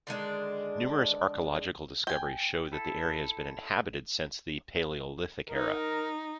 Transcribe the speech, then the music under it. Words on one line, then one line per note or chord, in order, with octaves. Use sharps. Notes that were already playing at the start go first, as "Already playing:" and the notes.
Numerous archaeological discoveries show that the area has been inhabited since the Paleolithic era.
D3 D#3 G#3 D4
G5 G#5
E4 A4
D#4 A#4